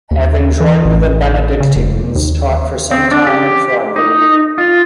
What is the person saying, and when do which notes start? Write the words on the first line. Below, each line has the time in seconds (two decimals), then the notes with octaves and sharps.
Having joined the Benedictines, taught for some time at Freiburg.
0.11 D#2
0.60 E3
0.85 A1
1.60 C#3
1.76 F1
2.15 D#2
2.91 C4
3.11 D4
3.27 G4
3.96 D#4
4.58 F4